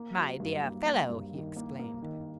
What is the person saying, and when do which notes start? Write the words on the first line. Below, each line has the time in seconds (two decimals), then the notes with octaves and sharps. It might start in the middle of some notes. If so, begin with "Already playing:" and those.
"My dear fellow!" he exclaimed.
Already playing: A#3
0.17 F#3
0.40 G2
0.63 A#3
0.86 A#3
1.10 G2
1.33 D#3
1.56 A#3
1.79 A#3
2.02 D#3